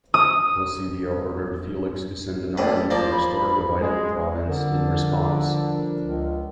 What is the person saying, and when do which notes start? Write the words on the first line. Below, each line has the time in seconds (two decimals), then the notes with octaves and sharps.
Placidia ordered Felix to send an army to restore the vital province in response.
0.14 D#6
2.58 A#1 A2 B4 D5
2.91 F3 A#3 C5 D5
3.11 B5
3.79 G#3
4.48 D3 F3 G3 D4 A#4
6.01 C#2